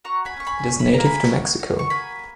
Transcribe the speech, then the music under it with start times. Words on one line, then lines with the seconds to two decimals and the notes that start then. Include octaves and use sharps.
It is native to Mexico.
0.04 F#4 A#5 C#6
0.25 G#5 B5
0.36 C#4 C#6
0.47 G#5 B5
0.68 G#4 C#6
0.79 B5
0.94 A#3 A#5
1.05 G#5 B5
1.30 F#4
1.59 F#4
1.79 C#6
1.90 A#3 G#5 B5